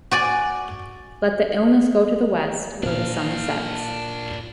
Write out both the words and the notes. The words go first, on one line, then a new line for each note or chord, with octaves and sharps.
Let the illness go to the west, where the sun sets.
F#4 D5 G#5
A#2 A#3 D4 F5